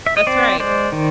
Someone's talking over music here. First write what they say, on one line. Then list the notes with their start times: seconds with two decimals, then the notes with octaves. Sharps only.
That's right.
0.07 E5
0.17 D#5
0.27 C4 C5 D5
0.60 G#3 C5 D5
0.92 D#3